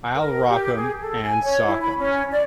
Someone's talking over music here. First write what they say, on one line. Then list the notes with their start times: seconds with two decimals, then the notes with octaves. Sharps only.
I'll rock 'em and sock 'em!
0.16 A#4
0.49 G4
0.76 G#4
1.00 A4
1.22 G#5
1.43 C#5
1.65 E4
1.81 B5
1.97 C#4
2.31 D5